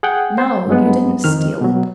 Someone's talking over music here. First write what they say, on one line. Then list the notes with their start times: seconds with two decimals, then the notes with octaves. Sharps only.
No, you didn't steal it.
0.03 G#4 F#5 G5
0.38 C5
0.67 G2 F#3 G#3 B3
1.24 F2 D#3 F6
1.61 B2 F#3